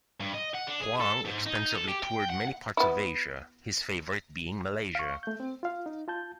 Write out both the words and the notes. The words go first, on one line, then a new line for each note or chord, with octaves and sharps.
Huang extensively toured many parts of Asia, his favourite being Malaysia.
G2
D#5
F#5
D4
G#4
A4
G#2
D#4
A4
G4
G5
F#5
B3 E4
F5 C#6
A3 G6
C4
F4 F5
D#4
F4 A5 G6